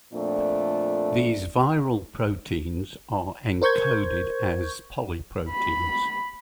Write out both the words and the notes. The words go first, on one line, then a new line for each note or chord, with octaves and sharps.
These viral proteins are encoded as polyproteins.
F2 A#2 A3 D4
A#4 C5 C#6 G6 G#6
B5